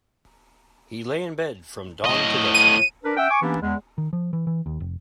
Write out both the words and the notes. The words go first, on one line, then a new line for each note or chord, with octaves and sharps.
He lay in bed from dawn to dusk.
A2 D#5
D#7
D4 A#4 B4
C#4 E5 F#5 G5
G#5 C#6 D6
E3 A#3 B3 C#4 D4 G4
E2 G#3
D#3
F3
E3
E3
D#2
F1